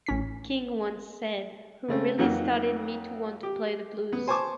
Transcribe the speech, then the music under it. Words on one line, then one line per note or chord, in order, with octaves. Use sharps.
King once said, who really started me to want to play the blues.
A1 C#4 B6
C#3 A3 C4
F2 F#3 A#3 D#4 F#5
G4
B3
C5 G#5 A5 C#6 D6